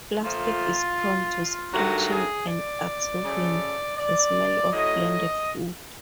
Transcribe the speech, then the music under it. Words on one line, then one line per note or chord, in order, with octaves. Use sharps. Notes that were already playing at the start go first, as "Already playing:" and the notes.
Plastic is prone to scratching and absorbing the smell of blended food.
A#2 F3 A3 F4
G2 D#3 F#3 A3 F#4
G#4
D5
C#3 F#3 A3
D5
A2 F#3 A3 D#5